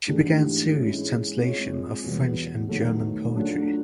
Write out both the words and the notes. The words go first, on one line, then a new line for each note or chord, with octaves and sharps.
She began serious translation of French and German poetry.
G#2 E3 A3 D4 G4
G#3 C#4 E4
G#3 C4 F4 G#4 C#5
E2 B2 G3 B3
D#3 F#3 A3
F#3 A3 D4 F4